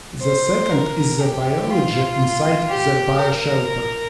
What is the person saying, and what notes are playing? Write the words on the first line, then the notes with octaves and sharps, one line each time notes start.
The second is the biology inside the bioshelter.
C5
A#4
G4
F4
G4
A#4